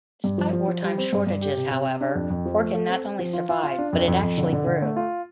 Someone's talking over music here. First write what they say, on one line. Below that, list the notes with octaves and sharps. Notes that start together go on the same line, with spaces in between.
Despite wartime shortages, however, Orkin not only survived, but it actually grew.
G2
F3
F3
F3
G3
C4
G2
G2
G4
C3
C3
G4
D4
F2
F2
F3
A3
A4
C4
C4
F3
F4
F4
F4
D4
F2
F2
F2
D3
D3
D3
A3
F4